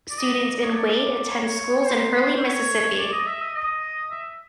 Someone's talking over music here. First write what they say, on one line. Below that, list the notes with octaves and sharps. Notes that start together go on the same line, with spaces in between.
Students in Wade attend schools in Hurley, Mississippi.
D5
D#5
C#5
D5
C#5
C#5
C5
C#5
D5
D#5
E5
D#5
D#5
E5